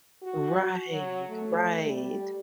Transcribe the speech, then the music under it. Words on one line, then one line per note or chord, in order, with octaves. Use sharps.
Right, right,
F#4
F#3
A3
G3